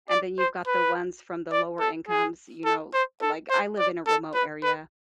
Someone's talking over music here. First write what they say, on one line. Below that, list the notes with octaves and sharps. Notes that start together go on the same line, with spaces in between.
and then you've got the ones from the lower incomes, you know like, I live in a remote area,
D5
C5
B4
D5
A4
G#4
A4
C5
A4
C5
D5
A4
B4
B4